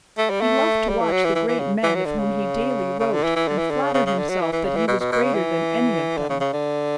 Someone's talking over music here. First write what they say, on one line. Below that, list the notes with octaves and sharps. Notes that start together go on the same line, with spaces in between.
He loved to watch the great men of whom he daily wrote, and flatter himself that he was greater than any of them.
A3
G3
A3
G3
E3
F#3
E3
E3
E3
C#3
E3
F#3
D3
C#3
C#3
D3
E3
E3
D3
E3
D3
C#3
C#3
C#3
D3
F#3
E3
E3
C#3
E3
B2
B2
B2
C#3
E3
D3
C#3
C#3
D3